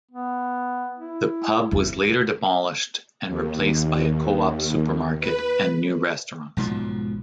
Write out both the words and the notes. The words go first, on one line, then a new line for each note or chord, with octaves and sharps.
The pub was later demolished and replaced by a Co-op supermarket and new restaurants.
B3
E4
F2
D#2
B4
B1 G#2 B2 F3